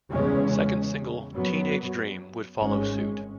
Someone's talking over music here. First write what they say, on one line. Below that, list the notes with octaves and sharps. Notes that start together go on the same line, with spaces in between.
Second single "Teenage Dream" would follow suit.
E2 C#3 G#3 C#4
F#2 F#3 B3
G#1 G#2 G#3 C#4